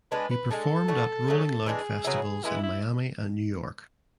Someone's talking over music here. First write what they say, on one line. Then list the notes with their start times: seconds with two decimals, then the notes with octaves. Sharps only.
He performed at Rolling Loud Festivals in Miami and New York.
0.11 G#3 B3 D4 B4
0.31 B4
0.51 G#3 D4 G#4 A4
0.88 D3 A3 D4 F#4
1.28 F#3 A3 D4 G#4
1.66 E3 G#3 D4 G#4
2.05 C#3 F#3 B3 E4
2.43 E3 G#3 B3 E4
2.63 E4